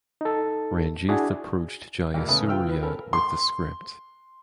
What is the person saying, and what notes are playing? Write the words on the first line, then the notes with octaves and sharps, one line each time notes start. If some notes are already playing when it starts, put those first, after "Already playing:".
Ranjith approached Jayasurya with the script.
D#4 A4
D4 E4 F#4 G#4
E2 B2 A#3
C#3 A3 C#4 B4 B5 D#6
F4 B4 G5 E6 F6
B4
B3 C#4 A4 A#4
C6